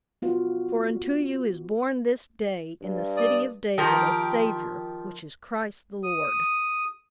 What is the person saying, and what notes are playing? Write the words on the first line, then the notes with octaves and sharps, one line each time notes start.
"For unto you is born this day, in the city of David, a Savior, which is Christ the Lord!"
B3 F4 F#4 B4
G2
D5 D#6
D#3 F3 G4 A#4
D#6